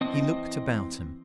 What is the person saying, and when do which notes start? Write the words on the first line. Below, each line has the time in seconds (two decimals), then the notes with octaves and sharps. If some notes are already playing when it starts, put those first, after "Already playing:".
He looked about him.
0.01 E3 C4 D#5 A5 D#6